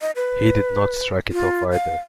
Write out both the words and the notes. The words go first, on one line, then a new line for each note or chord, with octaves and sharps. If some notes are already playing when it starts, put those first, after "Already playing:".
He did not strike it off, either.
D#5
B4
F4
F5